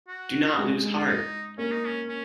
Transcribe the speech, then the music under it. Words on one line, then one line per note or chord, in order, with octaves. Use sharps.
Do not lose heart!
F#4
G#3
G#3
F4
D#4
A#3 C#4
D#4
C#4
C#4